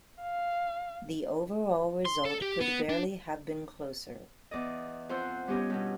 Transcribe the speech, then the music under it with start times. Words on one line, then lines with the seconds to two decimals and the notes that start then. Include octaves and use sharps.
The overall result could barely have been closer.
0.21 F5
2.05 C6
2.25 A4
2.42 G4
2.60 B3
2.89 D4
4.51 E2 D5 D#5
5.09 F2 F4 C5 F#5 E6
5.47 G3 B3 C#4 G4 C#5 D#5
5.70 G2 B2